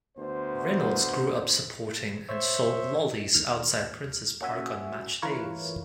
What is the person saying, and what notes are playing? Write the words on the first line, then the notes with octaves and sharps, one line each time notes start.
Reynolds grew up supporting and sold lollies outside Princes Park on match days.
D2 B3 C5
C5 C#5 E5
D#2 F6
A#3 C#4 F#4 E5 G#5
E3 A3 F4 A#4 B4 C#5